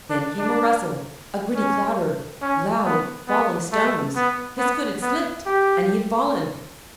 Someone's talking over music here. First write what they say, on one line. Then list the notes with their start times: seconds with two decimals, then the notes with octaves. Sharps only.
Then came a rustle, a gritty clatter, loud falling stones: his foot had slipped, and he had fallen.
0.10 D4
0.38 D4
1.55 C#4
2.41 C#4
2.85 B3
3.28 B3
3.72 A3
4.15 B3
4.58 B3
5.01 B3
5.46 G4